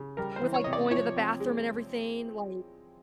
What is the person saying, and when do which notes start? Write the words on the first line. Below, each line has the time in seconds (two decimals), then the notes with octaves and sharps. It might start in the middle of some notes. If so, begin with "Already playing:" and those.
with, like, going to the bathroom and everything, like
Already playing: C#3
0.17 G3 A#4
0.36 C5
0.42 E3
0.54 C#5
0.64 C3 D#5
0.73 D5
0.91 F3 C#5
1.16 C4
1.40 G#3